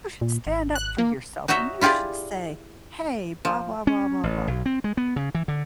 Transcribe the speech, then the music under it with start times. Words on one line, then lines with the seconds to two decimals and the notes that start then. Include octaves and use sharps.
"You should stand up for yourself, and you should say, 'Hey, blah, blah, blah, blah, blah.'"
0.21 A#2
0.47 G#1
0.75 F#6
0.98 A#3
1.48 D#4 F#4 C#5 D#5 E5
1.81 E4 F4 G4 G#4 D5
3.45 F3
3.87 C#4
4.23 A1
4.47 B1
4.66 C4
4.84 G#3
4.97 B3
5.16 C#3
5.35 E3
5.48 D3